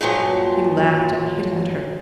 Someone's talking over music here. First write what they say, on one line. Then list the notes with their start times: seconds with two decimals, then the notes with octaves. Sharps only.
He laughed and hit at her.
0.01 G2 A#2 F3 F#3